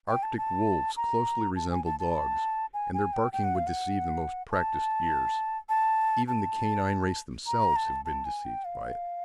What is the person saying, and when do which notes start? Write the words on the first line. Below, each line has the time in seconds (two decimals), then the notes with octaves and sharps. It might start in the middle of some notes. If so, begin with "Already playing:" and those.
Arctic wolves closely resemble dogs, and their barking would deceive the most practised ears; even the canine race themselves have been deceived by it.
0.08 G5
0.23 A5
0.38 A5
0.97 A#5
1.56 A5
1.71 G#5
1.85 A5
2.00 A5
2.74 G#5
2.94 G#5
3.13 G5
3.33 G5
3.44 F#5
3.55 F5
3.67 F#5
4.51 A5
5.69 A5
6.28 A5
7.47 A#5
7.76 A5
8.05 A5
8.25 G#5
8.45 G5
8.65 F5